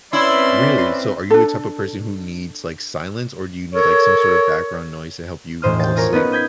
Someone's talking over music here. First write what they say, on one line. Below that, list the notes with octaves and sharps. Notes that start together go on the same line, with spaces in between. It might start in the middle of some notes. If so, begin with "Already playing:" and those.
Really? So are you a type of person who needs, like, silence, or do you need, like, some sort of background noise to help you fall asleep?
C4 C#4 E4 B4 D5 C6
D4 A4
A4 A#4 C#5
E1 A2 C5 D#6 F6
G5 A6
F4 G#4 A#4 C#5
B3 C#4 D#4 B4
D#6 G6 G#6 B6